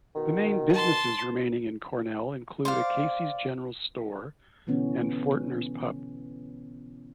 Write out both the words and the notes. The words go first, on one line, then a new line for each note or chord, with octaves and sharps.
The main businesses remaining in Cornell include a Casey's General Store and Fortner's Pub.
B2 D#3
A5 C6
C5 D5 F5
B2 D3 E3 B3 C#4